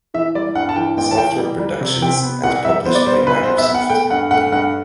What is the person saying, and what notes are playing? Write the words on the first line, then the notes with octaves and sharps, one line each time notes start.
Software Productions and published by Microsoft.
E3 E5
G3 D5
G2 F#5
A5
E3 G5
A1 G5
A5
E3 G5
G3
G3
C3
C3 G5
B3
C2 F#5
G3 E5
B3 C5
D5
G3 C5
B1 B4
C5
B3
E5
B3
F#5
A3 G5
G2 F#5
A3 F#5
G2 F#5